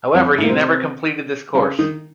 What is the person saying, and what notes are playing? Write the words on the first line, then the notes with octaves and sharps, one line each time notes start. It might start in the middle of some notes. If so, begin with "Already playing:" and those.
However, he never completed this course.
F2 F3
A2 A3
A#3
C3 C4
C#3 C#4
D#3 D#4